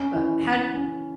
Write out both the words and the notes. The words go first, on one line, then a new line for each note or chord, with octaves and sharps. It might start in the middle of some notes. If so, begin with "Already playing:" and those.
but, how d
Already playing: C#4
E3
E3
C#4